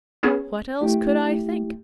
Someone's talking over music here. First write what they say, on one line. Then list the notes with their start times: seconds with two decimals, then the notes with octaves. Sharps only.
What else could I think?
0.23 B3 C#4 G#4
0.81 A3 E4 G4